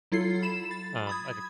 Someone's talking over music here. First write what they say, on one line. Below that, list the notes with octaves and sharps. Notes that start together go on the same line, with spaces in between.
um, I think,
F#3 E4 F4 A4 C7
B5 E7
A6
B5 D#6 G#6